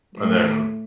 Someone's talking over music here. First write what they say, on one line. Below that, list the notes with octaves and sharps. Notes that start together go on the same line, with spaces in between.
And then
A2